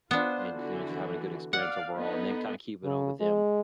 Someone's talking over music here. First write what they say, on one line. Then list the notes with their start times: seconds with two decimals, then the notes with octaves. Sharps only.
and, you know, just having a good experience overall, and then kinda keeping up with them,
0.11 B3 D4 F4 C5
0.54 D3 E3 F#4
1.53 D5 F5 F#5
1.96 D3 B3 D#4
2.84 C#3
3.21 G#3